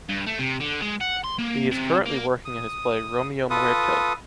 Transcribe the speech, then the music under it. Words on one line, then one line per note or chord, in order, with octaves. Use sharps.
He is currently working in his play ‘Romeo Muerto’.
G2
A3
C3
D3
G#3
F#5
C6
A#3
C3
A#3
D#6
F4 A4 B4 D#6